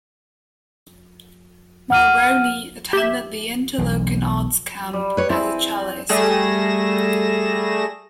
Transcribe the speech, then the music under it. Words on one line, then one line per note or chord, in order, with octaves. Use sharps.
Mulroney attended the Interlochen Arts Camp as a cellist.
F#5 F6 D#7
G4 E5
E1 B1 E2
G3
B4 C#5
C4 E4 G#4
G3 A3 G#4 A#6 E7